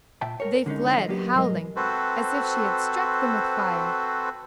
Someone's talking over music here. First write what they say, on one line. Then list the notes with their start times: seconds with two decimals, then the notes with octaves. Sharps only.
They fled howling, as if she had struck them with fire.
0.21 A#2 E5 G5 A5
0.40 A#4 C#5
0.66 D3 G#3 C#4 D#4
0.97 D3 F3 D#5
1.08 F#3 A#3 B3 G4
1.34 B1 G#2 F#3 G#3 A#4 D#5
1.76 C4 F#4 A4 B4 C5